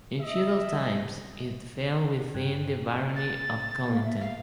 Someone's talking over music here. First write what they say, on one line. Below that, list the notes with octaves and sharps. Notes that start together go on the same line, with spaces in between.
In feudal times, it fell within the barony of Colinton.
D#5 E5
G2
A6
A#3
E5
F5